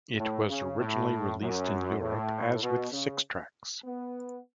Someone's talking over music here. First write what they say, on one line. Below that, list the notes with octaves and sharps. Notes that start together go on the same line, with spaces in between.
It was originally released in Europe as with six-tracks.
A2
C#3
A2
F#2
A2
B2
C#3
B3